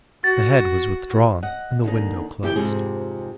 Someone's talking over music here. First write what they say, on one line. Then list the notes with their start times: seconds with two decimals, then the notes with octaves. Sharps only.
The head was withdrawn and the window closed.
0.24 F#4 A6
1.43 D#5 F#5
1.84 D#2 D3 D#4
2.43 E2 E4 G4 G5
2.56 F2 G#2 C3 G#4